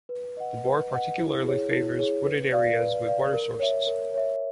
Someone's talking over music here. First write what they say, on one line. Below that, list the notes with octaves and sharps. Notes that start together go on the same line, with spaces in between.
The boar particularly favors wooded areas with water sources.
B4
D#5 F#5
B4
D#5 F#5
E4
G#4 C#5
E4
G#4 C#5
B4
D5 F5
B4
D5 F5
A#4
C#5 E5
A#4
C#5 E5